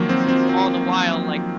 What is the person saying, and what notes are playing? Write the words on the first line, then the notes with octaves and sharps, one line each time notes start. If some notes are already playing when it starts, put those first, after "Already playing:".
eh, all the while, like
Already playing: D#3 F3 F#3 A#3
C4
C4
C4